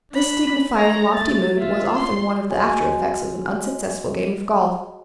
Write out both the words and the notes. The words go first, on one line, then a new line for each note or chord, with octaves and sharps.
This dignified and lofty mood was often one of the aftereffects of an unsuccessful game of golf.
D4 B5
C#5 A#5
A3 A6
F4 E5
C6
F#3 G#3 G#5